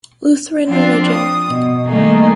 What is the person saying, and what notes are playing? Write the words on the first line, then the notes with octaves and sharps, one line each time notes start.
Lutheran religion.
F3 C4 D4 F4
D#6
B2
D#3 G3 A3 A#3 D#4 G#4